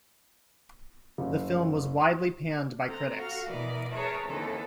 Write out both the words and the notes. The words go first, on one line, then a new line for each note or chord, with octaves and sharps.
The film was widely panned by critics.
F#1
C4 A4 A#5
F#4 A4 F5 F6
B2 E3 A#4 D5 D#5
G#4 A#4 B4 C#5 E5 A5
D#2 D#3 E3 C4 A4